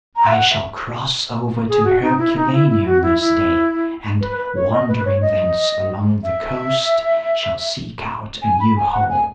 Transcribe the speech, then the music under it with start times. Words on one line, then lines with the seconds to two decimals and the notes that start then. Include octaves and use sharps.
'I shall cross over to Herculaneum this day, and, wandering thence along the coast, shall seek out a new home.
0.16 A#5
0.26 E5
0.33 F#5
0.51 E5
1.69 G#4
1.84 F#4
2.02 D#4
2.18 E4
2.36 D#4
2.52 E4
2.70 E4
2.86 F#4
3.02 E4
3.20 E4
4.21 B4
4.38 B4
4.55 C#5
4.72 D#5
4.88 B4
5.05 C#5
5.22 D#5
6.23 E5
8.42 G#5
8.60 B5
8.77 G#5
8.92 F#5
9.10 G#5